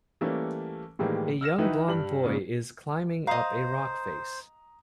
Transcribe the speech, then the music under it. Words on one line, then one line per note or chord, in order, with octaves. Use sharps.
A young blond boy is climbing up a rock face.
E3 G3 A3 A#3 C#4
A2 D#3 E3 G3 G#3 A#3
E6 F6 A#6 E7
D#3 E3 D#4 E4 F#4 B4
G2 G3 F#7
A#2 C#3 C#4
C5 D#5 F5 A#5 D#6